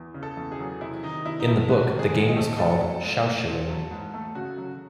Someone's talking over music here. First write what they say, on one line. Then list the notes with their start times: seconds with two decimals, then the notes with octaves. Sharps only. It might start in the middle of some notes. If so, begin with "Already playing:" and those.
In the book, the game was called "shoushiling".
Already playing: E2
0.14 C#3
0.23 A4
0.37 E2
0.52 G#4
0.59 F#3
0.81 C3 E4
1.04 D#3 D#4
1.25 C3 E4
1.40 D#4
1.48 A3 E4
1.70 C3 F#4
1.93 D#3
1.99 G#4
2.14 C3
2.28 D#5
2.36 A3
2.58 C4 A4
2.80 F#3
3.02 G#2
3.25 A3
3.47 C4
3.70 F#3
3.91 G#2
4.14 A3
4.35 C#3 F#4
4.58 F#3